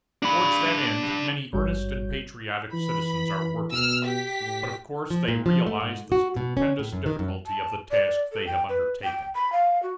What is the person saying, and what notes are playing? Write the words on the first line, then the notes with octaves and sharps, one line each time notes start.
Towards that end many earnest and patriotic citizens are working; but of course they realize the stupendous difficulty of the task they have undertaken.
D4 B5
G#1 G2 G3 F#4 C#5 G6
E3 B5
B2 E6 F6
G4 B6
A2
F3
A#2
F3
A3
G#2
F#4
B2
C#4
A2
F#2
D#3
F#2
A5
D5
A4
G5
B4
G5
B5
F5
F#4